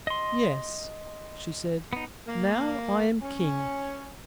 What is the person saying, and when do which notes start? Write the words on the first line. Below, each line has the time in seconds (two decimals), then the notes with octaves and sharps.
"Yes," she said; "now I am king."
0.07 D#5 C6
1.93 B3 D#4
2.28 A#3
3.22 C#4